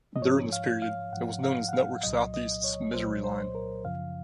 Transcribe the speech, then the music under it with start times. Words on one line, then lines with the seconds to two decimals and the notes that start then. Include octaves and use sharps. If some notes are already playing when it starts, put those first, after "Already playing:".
During this period, it was known as Network SouthEast's "misery line".
0.16 D#5
0.22 G#2 F3 C#5
0.53 F5
0.82 F5
1.13 G#2 F3 F#5
1.44 F5
1.69 F#5
1.73 F5
2.03 C2 A#2 F#3 D#5
2.34 D#5
2.64 C#5
2.94 C2 A#2 F#3 C5
3.24 C5
3.55 A#4
3.84 F#2 C#3 F3 F5